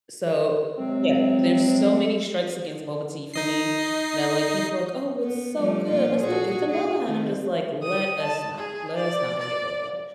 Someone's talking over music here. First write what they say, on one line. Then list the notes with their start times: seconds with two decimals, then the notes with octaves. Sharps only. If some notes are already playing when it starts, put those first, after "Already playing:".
so, yeah, there's so many strikes against boba tea for me that, like, people are like, "Oh, it's so good. Let's go get some boba," and I'm just like, "Let us not, let us not go get boba.
0.77 C3 F#3 G#3 C4
3.34 D#4 D#5 C7
5.24 B3
5.56 F3 G3 A3
5.88 A#2 F3 F4
6.21 F#4 G#4
6.70 G#4
7.05 D#3 A3 C4
7.83 D#6
8.22 A5
8.58 G#4
8.96 D5
9.39 D5